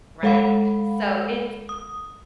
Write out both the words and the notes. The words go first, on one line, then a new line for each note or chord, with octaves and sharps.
Right. So it's
G#3 A4 F5 F#5 B5
D#6